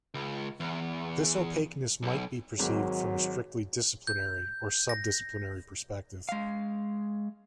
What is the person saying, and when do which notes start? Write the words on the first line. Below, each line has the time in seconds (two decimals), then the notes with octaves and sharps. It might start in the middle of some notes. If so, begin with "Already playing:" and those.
This opaqueness might be perceived from a strictly disciplinary, or sub-disciplinary perspective.
0.14 C#2
0.60 E2
2.03 B1
2.59 G#1 F#3 G#3
4.07 G6
4.89 A#6
6.29 G#3 F5